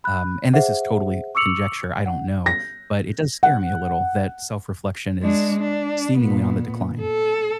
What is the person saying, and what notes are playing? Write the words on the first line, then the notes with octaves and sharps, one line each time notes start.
um, and this is totally conjecture, I don't know, but it does scare me a little that self-reflection is seemingly on the decline.
B5 F#6
G#4 C5 E5 F#5
C#6 D6 E6 C#7 F7 F#7
F#5
A#6
F#5
G#3 D4
D4
A#2 B3
A4